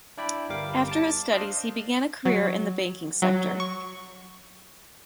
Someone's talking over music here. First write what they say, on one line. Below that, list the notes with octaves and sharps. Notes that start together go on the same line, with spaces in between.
After his studies he began a career in the banking sector.
D4 E4 D5 G5 B5
G1 G3 A#4 F5 D6
A5 D6
D4 C5 D5 D#5 F5
F#3
F#3
C#6